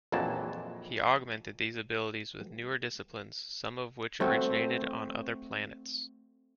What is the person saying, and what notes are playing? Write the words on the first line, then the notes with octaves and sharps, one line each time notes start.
He augmented these abilities with newer disciplines, some of which originated on other planets.
A#1 F2 E3 F#3 A#3 A5
A3 C4 F#4